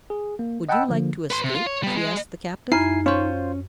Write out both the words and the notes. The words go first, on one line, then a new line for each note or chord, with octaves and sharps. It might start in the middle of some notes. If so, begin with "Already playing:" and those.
"Would you like to escape?" she asked the captive.
G#4
A#3
D#5 F#5 G5 A5 B5 E6
D3 F3 A#3
B4 C6
C3
F4
C#5
G3 B3
G#3
F#2 D#4 E4 G#5 F6 G#6 C7
C#4 F4 C5 C#5